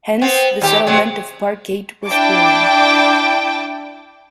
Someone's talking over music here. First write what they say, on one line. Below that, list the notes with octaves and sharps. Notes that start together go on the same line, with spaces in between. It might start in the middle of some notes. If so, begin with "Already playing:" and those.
Hence the settlement of Parkgate was born.
B3 C4
D#2 G4
C3 F#3 G#3
D4 E4 G5 A5 D6